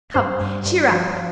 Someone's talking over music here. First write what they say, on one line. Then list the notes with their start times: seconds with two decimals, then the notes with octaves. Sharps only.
Come, cheer up.
0.14 G2 C5
0.41 G2
0.65 G2
0.92 F3
1.17 F3